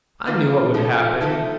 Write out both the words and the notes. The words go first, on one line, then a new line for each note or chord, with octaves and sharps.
I knew what would happen.
C3 D#3 A#3 F4 A4
F3 A3 D#4 A4
F3 A3 D#4 A4